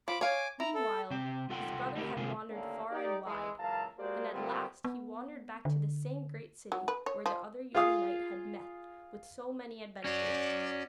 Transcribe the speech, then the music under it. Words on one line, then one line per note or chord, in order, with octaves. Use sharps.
Meanwhile his brother had wandered far and wide, and at last he wandered back to the same great city where the other young knight had met with so many adventures.
F3 B5 D6
C#5 F5 G#5 D6
E4 A#5
A4
C3 C4 G5
C2 F4 A4 F#5 G5 C6
G3 A3 B3 E4 G4 A#4
C3 G#3 A#3 C4 F4 G#4
D#2 A2 D3 A#3 C#4 D4
D#4 G4 D5
E3 G#3
C#2 F#2 E3 F5 A5 A#5
G#3 A#3 F#4 G4 C5 D5
D2 A#2 D3 G3 B3 C4
B3
D3
F#3
B4
C#5
F3
F4 G#4 F5 D#6
C#4 F#4 D5